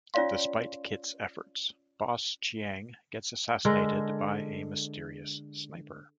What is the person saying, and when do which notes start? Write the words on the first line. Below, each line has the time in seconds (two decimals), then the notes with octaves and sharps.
Despite Kit's efforts, Boss Chiang gets assassinated by a mysterious sniper.
0.14 C#4 F4 C#5 D5 F5 C6
3.65 D3 G#3 A4 A#4